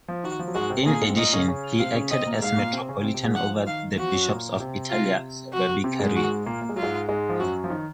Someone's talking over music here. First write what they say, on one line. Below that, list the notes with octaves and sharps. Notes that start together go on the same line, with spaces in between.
In addition he acted as metropolitan over the bishops of Italia Suburbicaria.
F3
D#3 F#4
F3
F#3
G#2 G#3 F#4
C3 C4
A#2 A#3 G#4
G#2 G#3
C4
A#2 A#3 D#5
C#3 C#4
C#3 C#4
C3 C4 F5
C#3 C#4
C3 C4 D#5
A#2 A#3
G#2 G#3 F5
A#2 A#3
C3 C4
C#3 C#4
C3 C4
C3 C4
G#2 G#3
F3 F#5
D#3 F5
F3 F#4
F#2 F#3
A#2 A#3
C3 C4
F4
F#4
C3 C4
G#2 G#3
F#4
A#2 A#3
A#3
G#3
F#3 F4
G#2 G#3
G#2 G#3
F3
F#2 F#3 F#4
F3
D#3